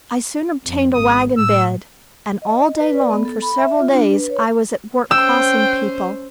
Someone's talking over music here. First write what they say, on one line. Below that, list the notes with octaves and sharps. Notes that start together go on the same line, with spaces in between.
I soon obtained a wagon bed, and all day long for several days I was at work crossing people.
F2
G#1 D#6
A2 E6
D#5
B4
D5
B3
A4
B5
E5
F4
D4
B4
C#5
C#4 C5 G5 E6